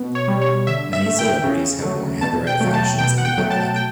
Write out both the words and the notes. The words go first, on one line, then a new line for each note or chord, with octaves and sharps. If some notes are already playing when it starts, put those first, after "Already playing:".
Many celebrities have worn Heatherette fashions in public.
Already playing: B2
C#5
G3
C#5
D3 E5
E5
A3
G5
C#3
F#3 A3
B2 A5
G5
F#3 A3
A5
B2 G5
F#5
G5
F#3 A3
A5
G5